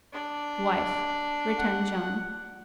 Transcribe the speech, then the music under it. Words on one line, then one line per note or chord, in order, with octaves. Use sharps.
"Wife," returned John.
D4 D5
F#5